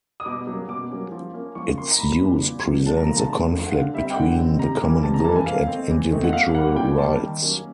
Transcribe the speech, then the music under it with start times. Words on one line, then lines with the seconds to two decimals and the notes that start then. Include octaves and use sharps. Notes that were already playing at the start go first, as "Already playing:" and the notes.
Its use presents a conflict between the common good and individual rights.
0.20 D#6
0.25 B2 D6
0.47 F#3 A#3 C#4
0.68 B2 D6
0.90 F#3 A#3 C#4
1.12 F3
1.34 A#3 C#4
1.55 F3 C#6
1.77 A#3 C#4 C6
1.91 A#5
1.98 A#2 B5
2.21 F#3 B3 D4
2.43 A#2
2.64 F#3 B3 D4
2.86 A2 A5
2.97 A#5
3.07 F3 A3 D4 A#5
3.18 A5
3.29 A2
3.51 F3 A3 D4
3.67 F#5
3.72 D3 F5
3.94 G3 C4 D#4 E5
4.10 G5
4.16 D3 F#5
4.38 G3 C4 D#4
4.59 C3 A#5
4.81 E3 G3 A#3
5.03 C3 A5
5.14 A#5
5.24 E3 G3 A#3 A5
5.36 G#5
5.46 E3 F5
5.68 A3 C4 D#4
5.90 E3
6.11 A3 C4 D#4
6.24 F#5
6.32 A#2 F5
6.55 G3 A#3 F#5
6.76 A#2 G5
6.98 G3 A#3 A5
7.20 D#3
7.42 F#3 A#3 C#4